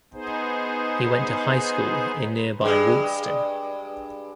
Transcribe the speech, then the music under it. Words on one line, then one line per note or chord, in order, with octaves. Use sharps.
He went to high school in nearby Wolsztyn.
B3 D#4 G#4 C5
G2 G#3